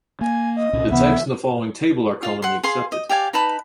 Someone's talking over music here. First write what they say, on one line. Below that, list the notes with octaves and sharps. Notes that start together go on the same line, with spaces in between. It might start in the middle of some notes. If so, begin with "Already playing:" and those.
The types in the following table are commonly accepted.
A#3 G#5
D#5
C2 A#2 C#4
C#2 C3 E3 B3 E5
F4 F5
F#5 C6
G#4 F5 C6
D#5
G4 D5 F5 G#5
D#4 B4 A5 B5